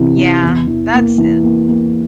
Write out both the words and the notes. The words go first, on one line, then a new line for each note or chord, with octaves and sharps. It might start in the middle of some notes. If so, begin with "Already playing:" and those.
Yeah. That's e
Already playing: C3 E3 E4
E3
E2
E3
A#3
E3
A#3
A#3